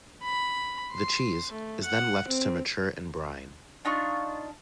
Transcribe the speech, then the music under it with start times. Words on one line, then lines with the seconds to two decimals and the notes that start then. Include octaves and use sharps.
The cheese is then left to mature in brine.
0.23 B5
0.93 C6
1.52 A3
1.84 F#5
2.28 C4
3.85 D4 D#4 F4 C#6